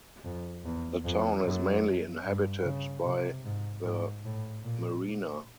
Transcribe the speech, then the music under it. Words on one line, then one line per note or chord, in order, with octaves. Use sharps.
The town is mainly inhabited by the Merina.
F2
E2
F2
F#2
G2
C#3
C3
G#2
G#2
A2
A#2